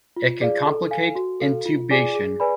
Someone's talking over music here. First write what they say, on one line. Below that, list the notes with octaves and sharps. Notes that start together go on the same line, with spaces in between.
It can complicate intubation.
F4
G#4 D5 F5
A4
F5 G#5
F#4
A4 F5
F4
G#4 D5 G#5 D6
G#4
B4 D5 G#5 B5